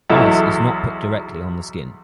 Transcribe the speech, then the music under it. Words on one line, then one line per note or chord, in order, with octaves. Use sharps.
Ice is not put directly on the skin.
B1 E2 F#3 E4 A4